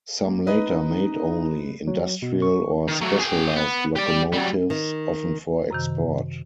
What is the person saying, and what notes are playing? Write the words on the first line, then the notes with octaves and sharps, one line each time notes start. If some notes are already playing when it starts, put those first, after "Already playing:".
Some later made only industrial or specialised locomotives, often for export.
A#3
D#4 B4 D#5
F#3
B2
C#6
D#3
F#3 A3
G#4 G5
B3
G4 D5
F#3 G3
D#3
F#2 C3 D#3